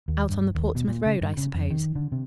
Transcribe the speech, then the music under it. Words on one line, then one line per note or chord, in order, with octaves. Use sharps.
"Out on the Portsmouth Road, I suppose?"
D#2
G2
D#2
B2
A#2
C#3
G2
C#3
F2
D#3
D3
C3